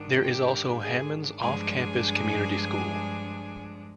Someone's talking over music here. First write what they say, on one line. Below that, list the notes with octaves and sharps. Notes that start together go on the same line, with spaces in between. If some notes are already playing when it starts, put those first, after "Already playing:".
There is also Hammons off-campus community school.
Already playing: G#2 D#3 D4
G4 G5
G#4 G#5
G2 F3 G#3 D4 G#4 G#5